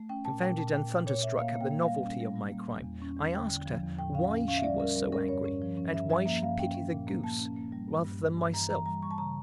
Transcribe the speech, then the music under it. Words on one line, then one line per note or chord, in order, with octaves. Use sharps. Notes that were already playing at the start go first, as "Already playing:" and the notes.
Confounded and thunderstruck at the novelty of my crime, I asked her why she was so angry and why she pitied the goose rather than myself.
Already playing: A3
C#4 G5
A#2 A5
A#2 G5
A#2 A5
A#2 G5
A#2
A#2 C#5
A#2 E5
A#3 F5
A#3
G5
A#3
F5
G3
C#4
G3
G3
A#3
E2
E2
C#4
E2
D3 G5
D3
F3
E2
A2 G5
C#4 F5
C#4
C#4 F5
E5
G3 D5
C#4 A#4
G3 A#4
C#4 A#4
G2 C#5
C#4
F3
C#4
G2 E5
F3 E5
A#3 E5
G2 F5
C#4 G5
C#4
A#2
A#3
A#3 A5
C#4
A#3
G3
G2
G2
G2
G2
E3 A#5
E3 A#5
G3 A#5
G3 C#6
A5
C#3 A#5